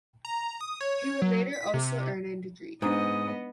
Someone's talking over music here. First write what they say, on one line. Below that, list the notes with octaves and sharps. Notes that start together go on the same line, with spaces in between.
He would later also earn an degree.
A#5
D#6
C#5
F#3
B6
C3
G#2 G#3 B3 D4 D#4 D#5 D#6